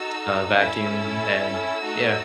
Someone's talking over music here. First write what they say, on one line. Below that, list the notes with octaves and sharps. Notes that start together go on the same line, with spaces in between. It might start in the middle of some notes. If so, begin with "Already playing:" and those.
uh, vacuum, and yeah,
Already playing: D#4 F#4 A4 E6
C#4 E4 A4 E6
A3 D#4 F#4 A4